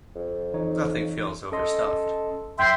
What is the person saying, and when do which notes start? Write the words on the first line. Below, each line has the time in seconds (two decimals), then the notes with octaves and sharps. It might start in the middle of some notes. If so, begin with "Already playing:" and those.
Nothing feels overstuffed.
0.16 F2
0.54 E3 D#4 C#5
1.52 C#4 A4 D#5 C6
2.59 F#2 E5 G5 C6 G#6